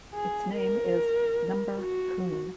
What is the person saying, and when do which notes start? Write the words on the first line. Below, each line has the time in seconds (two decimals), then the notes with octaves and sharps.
Its name is Number-kun.
0.13 G#4
0.55 A#4
1.80 F#4